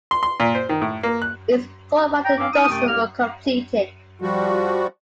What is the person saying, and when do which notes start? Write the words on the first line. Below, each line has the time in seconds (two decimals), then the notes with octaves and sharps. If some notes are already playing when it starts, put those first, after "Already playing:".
It's thought about a dozen were completed.
0.11 C6
0.23 C6
0.40 A#2
0.55 C5
0.69 D#3
0.82 A2
1.03 A#3
1.22 F#6
2.24 G5 A#5
2.38 G2 F#3 C4 C#4 F5 D6
2.53 D#4 D#6
2.70 F#2 C3 A3 G5 D#6
2.87 C2 A#3 G4 A#4 F6
4.22 F3 G3 F#4